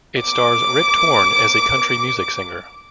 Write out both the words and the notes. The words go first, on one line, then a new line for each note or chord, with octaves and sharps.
It stars Rip Torn as a country music singer.
D6 D7